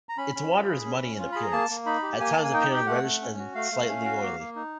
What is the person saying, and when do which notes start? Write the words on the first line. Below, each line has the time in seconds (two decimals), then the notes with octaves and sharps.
Its water is muddy in appearance, at times appearing reddish and 'slightly oily'.
0.09 A#5
0.17 C#4 B5
0.35 C#4
0.51 F4
0.69 G#4
0.85 C#4
1.02 C#4
1.19 F4
1.32 G#4 B5
1.42 A#5
1.52 A#3 A5
1.70 A#3
1.86 D#4 B5
2.03 G4
2.20 A#3 G#5
2.33 A#3 A5
2.44 G#5
2.53 D#4 G5
2.70 G4
2.76 G5
2.87 A3 F#5
3.04 A3
3.22 C#4
3.38 F#4
3.55 A3 F5
3.72 A3
3.89 C#4
4.04 F#4
4.23 A#3
4.39 A#3
4.56 D#4